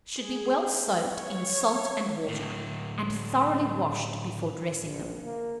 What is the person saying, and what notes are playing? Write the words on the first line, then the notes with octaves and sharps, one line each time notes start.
Should be well soaked in salt and water, and thoroughly washed before dressing them.
G#4
C#5
A2 D3
A#1
A#3